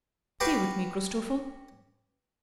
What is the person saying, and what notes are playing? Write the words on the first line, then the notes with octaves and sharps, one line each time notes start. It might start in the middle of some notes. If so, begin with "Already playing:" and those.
Stay with me, Christopher.
F#4 G4 B4 F5